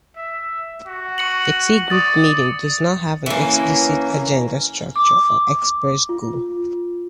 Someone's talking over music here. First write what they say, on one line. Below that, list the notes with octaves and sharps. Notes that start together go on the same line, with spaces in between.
A T-group meeting does not have an explicit agenda, structure, or express goal.
E5
F#4
C#6 C#7 F#7
D5 C#6 D#6 A6
E3 A#3 C#4
D6
F4